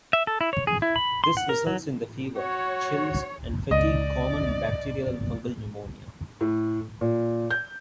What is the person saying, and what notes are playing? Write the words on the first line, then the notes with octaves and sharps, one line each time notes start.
This results in the fever, chills, and fatigue common in bacterial and fungal pneumonia.
E5
A4
E4
C#5
G#4
E4
B5
C6
F#5
A#4
F#3
F#4 C#5
C#2 D5 D#5
A2
A#2
G6